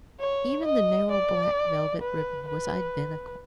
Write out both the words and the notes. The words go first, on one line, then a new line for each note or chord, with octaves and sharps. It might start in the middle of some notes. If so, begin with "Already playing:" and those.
Even the narrow black velvet ribbon was identical.
C#5
D#5
D5
B4
B4